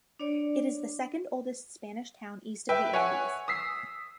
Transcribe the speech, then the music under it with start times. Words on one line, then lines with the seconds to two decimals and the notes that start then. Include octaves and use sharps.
It is the second oldest Spanish town east of the Andes.
0.19 D4 C#5 D5
2.69 B4 E5 G5
2.94 C#5 F#5 G#5
3.48 D#6 E6 B6 C7